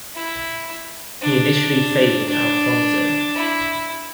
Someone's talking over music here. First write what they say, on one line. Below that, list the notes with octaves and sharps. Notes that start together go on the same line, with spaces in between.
He initially favoured Alfonso.
E4
D4
D4
E4